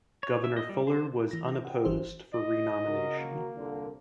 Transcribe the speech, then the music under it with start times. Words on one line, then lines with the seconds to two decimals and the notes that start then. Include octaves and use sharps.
Governor Fuller was unopposed for renomination.
0.23 C#5
0.44 E5
0.57 D#5
0.69 G3
0.87 C5
1.31 E3 A#6
1.65 F#5 G5
1.85 G1 E3 E4 C5
2.34 D#5
2.85 C#3 F#4 A#4
3.20 A#3
3.55 C2 A#2 D3